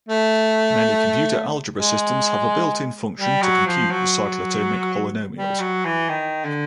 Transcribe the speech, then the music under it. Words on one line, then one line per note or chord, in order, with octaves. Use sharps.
Many computer algebra systems have a built in function to compute the cyclotomic polynomials.
A3
G#3
G3
F#3
F3
F#3
G3
F#3
E3
D#3
D3